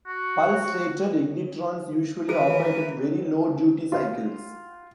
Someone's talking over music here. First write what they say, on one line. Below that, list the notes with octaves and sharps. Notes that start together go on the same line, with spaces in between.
Pulse rated ignitrons usually operate at very low duty cycles.
F#4
D#3 E3 G#4 A#4 B4
F4